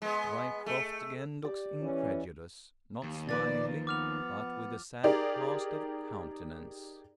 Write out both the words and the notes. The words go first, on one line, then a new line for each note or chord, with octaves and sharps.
Ryecroft again looks incredulous; not smilingly, but with a sad cast of countenance.
G#3 B3
A3
G4 D5
E3 C#4
D#2
F3 B4 D5 A6
B3 D6 F6 F7
D#4 G4 G#4 A#4 D5